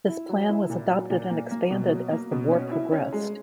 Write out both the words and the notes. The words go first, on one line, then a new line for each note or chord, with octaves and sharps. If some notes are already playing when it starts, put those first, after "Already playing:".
This plan was adopted and expanded as the war progressed.
E4
F#3
E4
A#2
F#3
A#2
A#3
A#3
B2
F#3
A#3
B2
C#4
E4
C#4
G#3